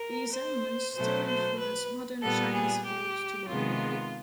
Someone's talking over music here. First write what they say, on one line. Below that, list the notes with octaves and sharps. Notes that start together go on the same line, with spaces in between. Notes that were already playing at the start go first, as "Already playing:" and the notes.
These elements still influence modern Chinese views toward law.
Already playing: A#4
C5
B2 F#3 A3 C5
C5
B4
A#2 G3 B3 A4
G#4
G4
C3 D#3 G#3 B3 F4